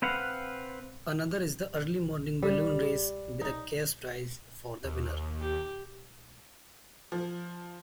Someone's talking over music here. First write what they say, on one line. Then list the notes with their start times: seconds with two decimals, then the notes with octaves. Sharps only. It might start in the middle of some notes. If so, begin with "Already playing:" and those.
Another is the early morning balloon race with a cash prize for the winner.
0.02 C4 B4 F5 F#5
2.43 G3
3.41 D#4
4.84 D#2
5.40 G4
7.12 F3